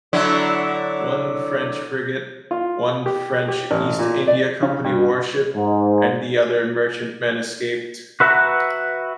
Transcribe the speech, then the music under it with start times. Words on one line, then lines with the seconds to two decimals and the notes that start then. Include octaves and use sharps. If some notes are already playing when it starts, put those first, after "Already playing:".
One French frigate, one French East India Company warship and the other merchantmen escaped.
0.13 D3 F#3 E4
2.51 F4
3.06 G4
3.48 G4
3.71 A1
3.99 A#2
4.28 D5
4.63 C#3
4.84 G2
5.55 G#2
8.20 F#4 B4 E5 F#5 A#5